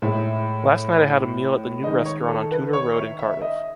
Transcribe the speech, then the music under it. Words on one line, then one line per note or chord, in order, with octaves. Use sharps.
Last night I had a meal at the new restaurant on Tudor Road in Cardiff.
A2 G#3 E5
D#3 G#3 D#5
C#5
A4
B4
C#5
E5
E5
E5
D#5